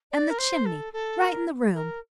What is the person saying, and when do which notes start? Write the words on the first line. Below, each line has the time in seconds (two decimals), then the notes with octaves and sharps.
And the chimney right in the room!
0.11 D5
0.29 A#4
0.38 C5
0.65 A4
0.92 A4
1.20 A#4
1.74 A#4